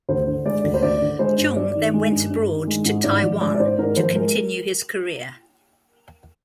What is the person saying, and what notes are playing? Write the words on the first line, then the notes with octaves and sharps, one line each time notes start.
Cheung then went abroad to Taiwan to continue his career.
D2 C5
D3
G#3 D5
D2
C5
D2 D5
D3
G#3 C5
G2
G2 D5
D#3
G#3
G2
G2
D#3
G#3
G#2
G#2 D5
F3
G#3 D5
D5
G#2 C5
G#2 A#4
F3 C5
G#3 A#4